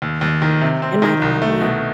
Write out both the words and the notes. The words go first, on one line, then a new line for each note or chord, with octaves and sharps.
Absolutely. It might only be
D#2
D#2
D#3
C3
C4
D#3
C2
A3
B2